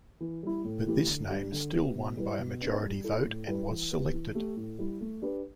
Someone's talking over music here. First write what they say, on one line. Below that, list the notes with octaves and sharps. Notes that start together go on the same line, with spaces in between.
But this name still won by a majority vote and was selected.
E3
G3 E4
A2
E3 A3 E4 G4
D3
G3 D4 G4
D3
B3 G4
B2
G3 E4 B4
B2
B3 D4
G3
E4 A4
A2
G3 E4 B4
E3
B3 G4
E3
A3 G4
A2
G3 E4
A3
D4 G4 B4